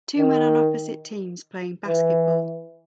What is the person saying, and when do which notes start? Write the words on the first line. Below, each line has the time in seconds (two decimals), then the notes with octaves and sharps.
Two men on opposite teams playing basketball.
0.18 D#3
1.87 E3